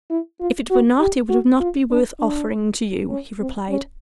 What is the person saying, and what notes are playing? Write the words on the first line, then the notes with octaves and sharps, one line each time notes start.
"If it were not it would not be worth offering to you," he replied.
E4
F4
F#4
G4
F#4
F4
D4
D4
C#4
C4
C#4